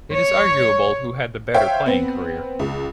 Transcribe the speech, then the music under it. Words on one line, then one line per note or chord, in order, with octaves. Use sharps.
It is arguable who had the better playing career.
C#5
C5 C#5 E5 F5 G5
B3 C4
C#2